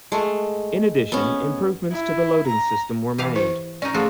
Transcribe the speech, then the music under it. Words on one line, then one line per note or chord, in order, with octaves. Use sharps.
In addition, improvements to the loading system were made.
G#3 A3
B3 C#4
E4
A#5
E3 G4 F5
E4 C5
C#4 D#4 D5
F3 A3 F#4 G#4 A4